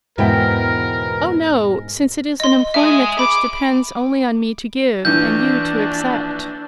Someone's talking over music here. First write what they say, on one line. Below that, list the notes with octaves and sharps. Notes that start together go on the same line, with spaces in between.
"Oh, no; since it is an employment which depends only on me to give, and you to accept."
E2 G#2 B2 B3 E4 A#4 G5
D#5 C6
G#3 E5
B5 D6
A#1 D3 E3 D4 G6